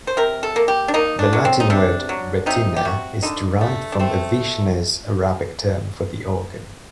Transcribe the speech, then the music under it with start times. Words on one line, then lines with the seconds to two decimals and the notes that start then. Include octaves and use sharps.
The Latin word "retina" is derived from Avicenna's Arabic term for the organ.
0.07 C5
0.17 C3 A#4
0.43 A4
0.56 A#3
0.68 G4
0.88 D4
0.94 A#3 D#4
1.19 D4
1.33 F#3
1.45 C4
1.60 D#4
1.70 C3 D4
2.09 F#3
2.46 C3 D#4
2.76 G4
2.85 C3 F#4
3.23 D3 D#4
3.61 A3
3.92 D4
3.99 A3 C4